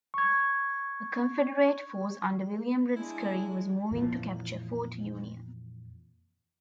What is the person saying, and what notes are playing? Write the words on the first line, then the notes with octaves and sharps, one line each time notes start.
A Confederate force under William Read Scurry was moving to capture Fort Union.
C#6 G#6
G#3 D4 E4
F2 A#2 E3 F3